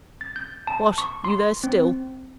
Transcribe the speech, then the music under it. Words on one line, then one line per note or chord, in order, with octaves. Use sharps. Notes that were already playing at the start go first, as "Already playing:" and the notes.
'What! you there still!'
A6
G6
A5
C#6
C6
C4